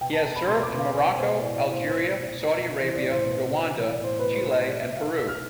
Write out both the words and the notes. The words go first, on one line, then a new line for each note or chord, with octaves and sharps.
He has served in Morocco, Algeria, Saudi Arabia, Rwanda, Chile and Peru.
B2 G5
A5
B2 A5
B5
B2 C6
D6
B2
F5
B2 D5
B2 C5
A2 D5
D5
A2
C5
B2 C5
B2
B2
B2
E3 C5
D5
A2
C5
B2
B2
E3
D5
A2
C5
B2 B4
C5
B2
C5
B2 D5
E5
B2
F5
B2
E6
F6